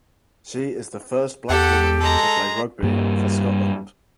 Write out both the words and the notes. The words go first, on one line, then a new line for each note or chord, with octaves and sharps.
She is the first black woman to play rugby for Scotland.
E2 G4 A4 F#5
G#3 A4 A#5
G2 G3 A#3